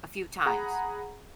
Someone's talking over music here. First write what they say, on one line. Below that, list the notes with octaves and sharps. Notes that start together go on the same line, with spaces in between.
A few times.
G#4 F#5 A#5 B5